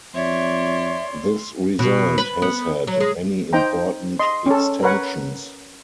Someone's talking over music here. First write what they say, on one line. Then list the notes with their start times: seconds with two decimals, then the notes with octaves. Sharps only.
This result has had many important extensions.
0.15 F2 C#5 D5 E5 C6
1.79 B2
2.18 B4
2.42 B3
2.87 F#3
3.00 G#3
3.53 D#4 C5 G5 A#5
4.19 D#5 C6
4.46 C#4 A4
4.83 A#4 B4 C#5 F#5